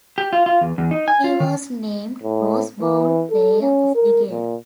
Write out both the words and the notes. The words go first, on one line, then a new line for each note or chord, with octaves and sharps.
He was named Rose Bowl Player of the Game.
G4
F4
F4
E2
E2
D#4
G#5
F4
D#3
A2
E3
A4
C#4
A#4
A#2